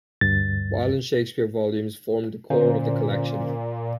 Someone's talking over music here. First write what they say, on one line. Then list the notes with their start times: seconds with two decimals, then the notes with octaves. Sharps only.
Wieland's Shakespeare volumes formed the core of the collection.
0.21 D2 G2 A6
2.50 A#2 D3 C#4 C5